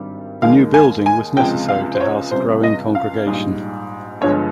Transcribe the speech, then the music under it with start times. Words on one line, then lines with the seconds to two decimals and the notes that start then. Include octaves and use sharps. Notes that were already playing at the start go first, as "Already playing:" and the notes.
The new building was necessary to house the growing congregation.
Already playing: G#1 G2 D#3 G3
0.42 D#2 D#3 G#3 F5
0.74 G#5
1.06 G#5
1.37 C#2 C3 F3 G#3 G5
1.69 F5
1.95 C5
2.00 C#5
2.31 C#2 C3 G3 C5
2.63 D#5
2.95 F5
3.26 A#1 G#2 G3
4.21 G1 G2 F3 G#3 C#5